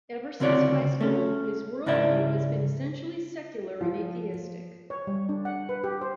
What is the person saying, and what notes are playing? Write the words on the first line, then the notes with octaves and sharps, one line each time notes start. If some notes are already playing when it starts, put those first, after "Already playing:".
Ever since high school, his worldview has been essentially secular and atheistic.
D2 C#3 C4 F#4 C#5 D5
A3 C#4
G#2 C#3 E4 D5 E5
F3
C#5
G3
D4
F#5
B4
G4
C5